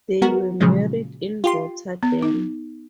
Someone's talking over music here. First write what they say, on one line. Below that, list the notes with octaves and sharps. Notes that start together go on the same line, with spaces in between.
They were married in Rotterdam.
G#3 B3 F#4 A#4
A#2 C#3 F3 F#3 G#3
F4 G4 C6
B3
D#4